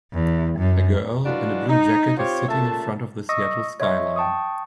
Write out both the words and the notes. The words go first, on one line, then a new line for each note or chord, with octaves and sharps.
A girl in a blue jacket is sitting in front of the Seattle skyline.
E2
F#2
E3 F#3 G#3 D4 F4 F#4
D#4
C4 F4 G4 C5 C#5
A#2 C#3 A3 E5 A5
D#5 C#6 D#6 E6 A#6
C#5 D#5 E5 C6 C#6
G5 A5 C#6 D#6